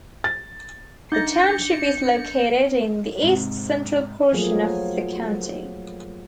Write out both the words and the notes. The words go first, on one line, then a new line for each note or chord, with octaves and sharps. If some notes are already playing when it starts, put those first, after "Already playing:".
The township is located in the east central portion of the county.
A6
D4 D#4 G6 A6 A#6 C#7
G#2 C3
F3 F#3 A3 A#3 G#4